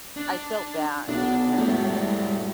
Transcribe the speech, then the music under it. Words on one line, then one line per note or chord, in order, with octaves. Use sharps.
I felt bad for him.
D4
B1 B3 D4
A2 F#3 G#3 A3 E4
G3